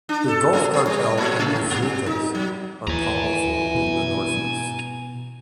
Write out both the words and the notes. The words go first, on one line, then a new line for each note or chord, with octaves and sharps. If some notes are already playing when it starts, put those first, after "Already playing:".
The Gulf Cartel and Los Zetas are powerful in the northeast.
D4
A4
A3
B3
G3
A2
C3
G2
A#2
G3
D#4
F#3
D#2 E3 G#5 A#5
B2